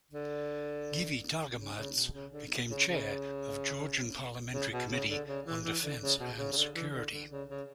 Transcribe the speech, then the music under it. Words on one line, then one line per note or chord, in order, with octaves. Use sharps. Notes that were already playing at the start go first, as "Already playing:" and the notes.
Givi Targamadze, became Chair of Georgian Parliamentary Committee on Defense and Security.
D3
C#3
C#3
B2
C#3
D3
C#3
C#3
C#3
B2
C#3
D3
C#3
E3
E3
D3
C#3
B2
C#3
C#3
D3
E3
D3
D3
C#3
C#3